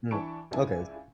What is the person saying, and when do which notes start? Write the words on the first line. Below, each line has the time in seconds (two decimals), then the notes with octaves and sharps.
Mm. Okay, I see
0.11 E3 D4 A5 B5 C#6 D7
0.51 C#2 D4 E4 G#5